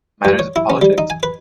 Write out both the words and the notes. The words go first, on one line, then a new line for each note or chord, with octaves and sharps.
Matters of politics?
G2
C#5
E4
C#4
G3
D#4
G#5
B4